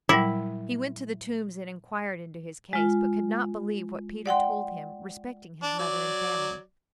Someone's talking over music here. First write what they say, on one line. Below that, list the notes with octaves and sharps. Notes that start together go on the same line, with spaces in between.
He went to the Tombs and inquired into his case, but could not believe what Peter told him respecting his mother and family.
A#2 F#3 G3 E4
G#3 F4
D5 F#5 G5 C6
D4
F#3 D5